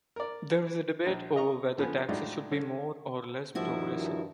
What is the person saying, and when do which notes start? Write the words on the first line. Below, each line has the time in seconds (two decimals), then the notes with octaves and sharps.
There is debate over whether taxes should be more or less progressive.
0.16 A#4 D5
1.06 A#1
1.36 D#5 A#5 C#6
1.78 D3 F3 B3 B4 G#5
2.09 A2 F#3 G#3 D4 D#4 F4
2.51 D3 C#4
3.55 G2 D#3 F3 E4 F#4